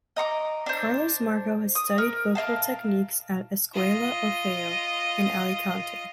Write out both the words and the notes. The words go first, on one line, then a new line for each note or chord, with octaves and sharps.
Carlos Marco has studied vocal techniques at "Escuela Orfeo" in Alicante.
D#5 A#5 C#6 D6
D4 C5
D#6
A#4
A#4 D#5 F5 A5
F4 D#5